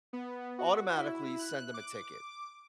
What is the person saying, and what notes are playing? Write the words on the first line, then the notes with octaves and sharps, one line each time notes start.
automatically send them a ticket."
B3
F#4
E4
F#6
D6